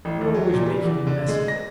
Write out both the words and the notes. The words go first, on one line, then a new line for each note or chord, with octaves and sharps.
You're always making a mess of it.
A1
D#2
F#3
A#2
G3
E2
D3
G#3
A#6